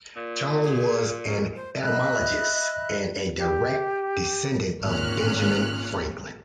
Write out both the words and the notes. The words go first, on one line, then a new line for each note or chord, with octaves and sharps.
Charles was an entomologist and a direct descendent of Benjamin Franklin.
A#2
G#4
C#4
C5
D#5 E5 B5 F#6
G4
G#1 A#2 C#4 F6 F#6